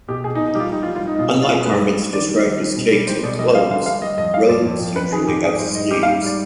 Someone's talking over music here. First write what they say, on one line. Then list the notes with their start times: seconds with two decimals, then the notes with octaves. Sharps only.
Unlike garments described as capes or cloaks, robes usually have sleeves.
0.08 B2 G4
0.24 B2 G#4
0.35 D#4
0.39 B2
0.47 D#4
0.55 G3 F4 G4
0.72 G3 D#4
0.83 F4
0.87 G3
0.96 F4
1.03 G3 D#4
1.14 D#4
1.19 B2 F4
1.30 D#4
1.35 B2
1.42 F4
1.49 B2 G#4
1.66 G2 B4
1.82 G3
1.97 G3
2.13 D#3 D5
2.29 G3
2.44 D#3
2.60 G3
2.76 B2
2.92 G3
3.07 G3 C5
3.23 B2 D5
3.39 G3 D#5
3.55 G3 F5
3.70 D3 F5
3.86 G3 F5
4.02 G3 D#5
4.18 F2 D#5
4.33 G3 F5
4.49 F2 D5
4.65 F2
4.81 F2
4.96 F2 B4
5.12 D#3 G#4
5.27 F2 G4
5.44 G#2 G#4
5.59 G3 C5
5.75 G#2 D#5
5.91 G3 G4
6.03 F5
6.07 G#2
6.22 G3 D5